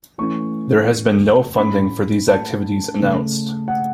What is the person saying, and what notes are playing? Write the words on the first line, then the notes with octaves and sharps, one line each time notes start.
There has been no funding for these activities announced.
E3 A3 C#4 C#6
A2 A3 C#4 B5
A5
C#3 A3 C#4
F#5